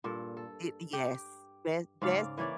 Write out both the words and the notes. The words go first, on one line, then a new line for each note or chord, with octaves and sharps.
It, yes, Be Bessie
G2 A#2 A4
A4
G4
G#2 C#3 D5 F5
E3 A#3 C#5 D5